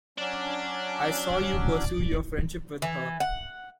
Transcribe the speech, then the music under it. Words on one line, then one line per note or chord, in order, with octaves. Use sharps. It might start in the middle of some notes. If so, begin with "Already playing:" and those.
I saw you pursue your friendship with her.
F#3 C#4 D4 D5 A5
E3
F#5